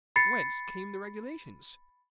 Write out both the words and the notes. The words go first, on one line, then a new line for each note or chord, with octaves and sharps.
Whence came the regulations?
B5 A6 C7 C#7